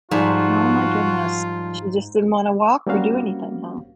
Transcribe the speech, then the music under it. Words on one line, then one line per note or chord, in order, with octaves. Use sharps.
Oh my goodness. She just didn't wanna walk or do anything, huh?
G#2 F3 G3 F4 F#4
G3 A#3 C4 C#4 F#4 F5